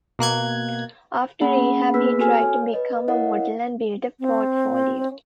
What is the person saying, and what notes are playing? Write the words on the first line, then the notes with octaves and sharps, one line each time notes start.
After rehab, he tried to become a model and built a portfolio.
B2 A#3 F#6 G#6
A#3 C#4 G#4 F#5 B5
A#3 B3 G#4 B4 E6 B6
C4 F#4 A4 G#5 F6
C#5
B4 D#5
E4 A#4 C#5 D#5 F5 F#5
C4